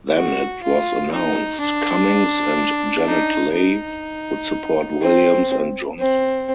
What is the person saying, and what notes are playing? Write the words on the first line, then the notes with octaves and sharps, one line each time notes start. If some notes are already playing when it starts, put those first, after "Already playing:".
Then it was announced Cummings and Janet Leigh would support Williams and Johnson.
F#4
F4
D#4
D4
D#4
D#4
C4
C4